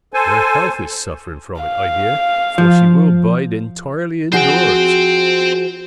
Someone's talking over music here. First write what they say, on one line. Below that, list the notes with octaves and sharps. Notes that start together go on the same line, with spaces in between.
Her health is suffering from it, I hear, for she will bide entirely indoors.
A4 C5 G#5
F5
F3
F3 F#4 G#4 C5 G5